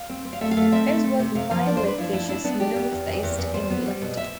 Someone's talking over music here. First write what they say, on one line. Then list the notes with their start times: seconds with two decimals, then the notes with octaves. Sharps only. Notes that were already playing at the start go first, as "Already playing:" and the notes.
His work mainly features North East England.
Already playing: F5
0.09 C4
0.25 C4
0.33 F5
0.41 A3 E5
0.51 F5
0.57 A3
0.62 F5
0.72 C4 E5
0.88 A3
1.04 A3
1.19 C3
1.35 C3 F5
1.51 F3 F5
1.66 D4 D5
1.77 C5
1.82 D4 B4
1.98 F3 E4
2.13 D4 E4
2.29 D4 E4
2.44 B3 D4
2.60 D4 G4
2.76 B3
2.92 E2
3.08 E2
3.23 E2
3.39 E2
3.54 E2 C5
3.70 B3
3.86 G3
4.02 B2
4.17 E5